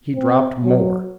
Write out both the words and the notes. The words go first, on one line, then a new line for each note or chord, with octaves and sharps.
He dropped more.
C4
F#3